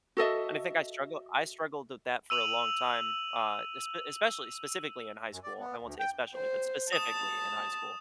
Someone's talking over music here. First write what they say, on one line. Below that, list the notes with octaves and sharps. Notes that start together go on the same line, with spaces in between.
And I think I struggle I struggled with that for a long time, uh, espe especially specifically in high school. I won't say especially, but specifically in high school.
F#4 A4 D#5 E5
E6 D#7 F7 F#7
F#2
D5
B3
D2
G5
C5
A5 D#6 E7